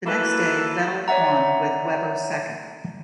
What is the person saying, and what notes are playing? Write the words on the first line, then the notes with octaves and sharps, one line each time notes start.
The next day, Vettel won, with Webber second.
F#3 A#3 E4 A4 B4
C#5 D5 E5 F#5 A#5